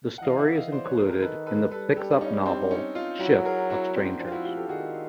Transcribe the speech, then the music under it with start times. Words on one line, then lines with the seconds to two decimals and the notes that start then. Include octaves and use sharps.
The story is included in the fixup novel "Ship of Strangers".
0.18 F#5
0.22 E3 D#5 F5
0.39 E5 F#5
0.55 D#5 F5
0.72 C5 D5
0.84 B4 C#5
0.97 A#4 C5
1.09 G#4 A#4
1.21 D#3 A4 B4
1.46 A4 B4
1.71 G3 A4 B4
1.97 G4 A4
2.10 D4
2.21 C#4 D#4
2.46 C4 D4
2.71 C#4 D#4
2.95 D#4 F4
3.20 F#3 E4 F#4
3.45 G#4 A#4
3.70 E4 F#4
3.95 C4 D4
4.19 F3 C4 D4
4.27 F4
4.32 E4 F#4
4.44 F4 G4
4.57 G4 A4
4.69 D#3 F#4 G#4